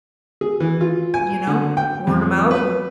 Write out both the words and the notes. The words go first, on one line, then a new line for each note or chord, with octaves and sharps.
you know, word-of-mouth.
G#4
E3
F4
G#5
D3
G5
F2
B4